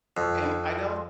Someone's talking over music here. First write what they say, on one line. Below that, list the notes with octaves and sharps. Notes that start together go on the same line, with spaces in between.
and I don't
F2